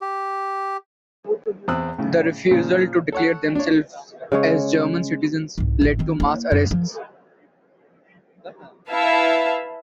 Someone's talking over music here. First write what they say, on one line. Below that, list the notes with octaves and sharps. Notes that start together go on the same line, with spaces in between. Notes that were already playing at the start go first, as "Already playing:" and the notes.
The refusal to declare themselves as German citizens led to mass arrests.
G4
E2 C4 D#6 E6 F#6
A2 C#3
A#2 C#3 F3
A4 C#5 F#5
D4 C#5
C#3 G#3 C#5
C2 G#2
A1 D2
D#3 C4
A#3 E4
F#2
F3
E4 B4 E5 F5 A5